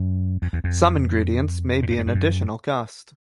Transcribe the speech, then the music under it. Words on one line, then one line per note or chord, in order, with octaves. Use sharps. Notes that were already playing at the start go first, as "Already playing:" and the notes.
Some ingredients may be an additional cost.
Already playing: F#2
F2
E2
F2
A#2
A2
G#2
G2
F#2